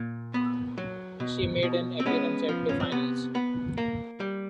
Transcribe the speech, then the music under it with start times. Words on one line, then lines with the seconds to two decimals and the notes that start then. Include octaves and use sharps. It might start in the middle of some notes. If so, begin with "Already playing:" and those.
She made an appearance at the finals.
Already playing: A#2
0.34 B3
0.78 F#3
1.20 B2
1.63 B2
2.00 C4
2.06 G#3 B3 C#4
2.49 F3
2.69 C#4
2.80 C4
2.92 C3 B3
3.35 B3
3.78 A#3
4.20 G3